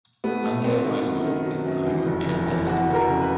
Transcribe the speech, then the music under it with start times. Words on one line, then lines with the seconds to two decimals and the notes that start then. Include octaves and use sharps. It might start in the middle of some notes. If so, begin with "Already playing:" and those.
Andale High School is the home of the Andale Indians.
0.24 A3 B3
0.44 A3
0.64 F#3 C4
0.85 D#3
1.05 F#2
1.25 D#3
1.45 F#3
1.66 F#2
1.86 E2
2.06 F1
2.26 F1
2.46 E2
2.67 E2 F#4
2.88 F1
2.94 A#4
3.07 C#3
3.21 B4